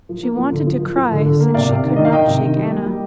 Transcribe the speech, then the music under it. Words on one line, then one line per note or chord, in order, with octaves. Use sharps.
She wanted to cry, since she could not shake Anna.
F3
A#3
F3
D3
F3
F3
F3
D3
D3
A#3
C3 D5 F5
C3
D#3
D#3 D#5
F5
D#3 D#5 G5
C3
D#3
G3
A#3
G3